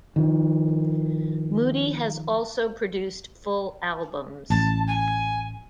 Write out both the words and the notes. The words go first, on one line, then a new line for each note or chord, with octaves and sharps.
Moody has also produced full albums.
D#3 F3
A1 A5
G#5